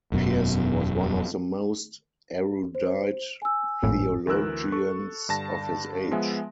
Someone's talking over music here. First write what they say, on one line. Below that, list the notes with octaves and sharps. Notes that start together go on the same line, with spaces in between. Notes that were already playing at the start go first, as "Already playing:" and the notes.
Pearson was one of the most erudite theologians of his age.
E1 F#2 B2
C5
G#5 E6
G#1 F2 A2
D2 E3 A#4 E6 F#6
A4 C#6
G2 D3 A5 A#6
F3 G#3 B3 E5 G#5